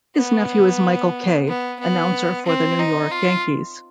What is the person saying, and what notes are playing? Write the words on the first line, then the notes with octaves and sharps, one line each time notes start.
His nephew is Michael Kay, announcer for the New York Yankees.
B3
B3
B3
C4
D#4
F4